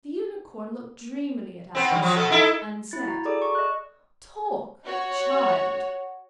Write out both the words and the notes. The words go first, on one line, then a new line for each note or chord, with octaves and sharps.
The Unicorn looked dreamily at Alice, and said 'Talk, child.'
B3 C4
D#3 F#3 G3
F3 F#3
B2 B3 A4
D#4 E4 A4
E4 A6
F#4 A#5
G#4 A4 D5 D6
C#6
D#5 F#6
F#4 C#5